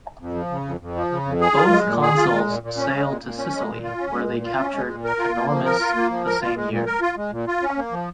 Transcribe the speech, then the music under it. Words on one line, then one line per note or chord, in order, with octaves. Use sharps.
Both consuls sailed to Sicily, where they captured Panormus the same year.
F2
F3
C#3
F2
F2
F3
C#3
F2
G#4
F4
G#3
A#2
G#4
F4
G#3
A#2
A#2
C#4
G#3
A#2
A#2
C#4
G#3
A#2
F4
C#4
G#3
A#2
F4
C#4
G#3
A#2
A#4
F4
A#3
F3
A#4
F4
A#3
F3
A#4
F4
G#3
A#2
A#4
F4
G#3
A#2
F4
C#4
A#3
F3